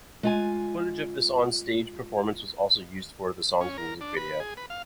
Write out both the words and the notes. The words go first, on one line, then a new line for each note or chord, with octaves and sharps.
Footage of this on-stage performance also was used for the song's music video.
G#3 F4 G#5
C#4
A#4
D4
B4
G#4
B4
F5